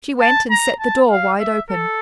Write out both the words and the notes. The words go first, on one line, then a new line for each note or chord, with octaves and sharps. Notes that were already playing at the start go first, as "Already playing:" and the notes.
She went and set the door wide open.
A5
A#5
A5
F5
E5
A4